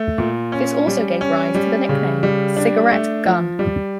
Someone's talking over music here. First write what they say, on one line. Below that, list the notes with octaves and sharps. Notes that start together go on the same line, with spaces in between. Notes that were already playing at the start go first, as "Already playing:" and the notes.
This also gave rise to the nickname, "cigarette gun".
Already playing: A3
A#2
C#4
G3
C#4
G3
C#3
G3
D4
A3
F3
G3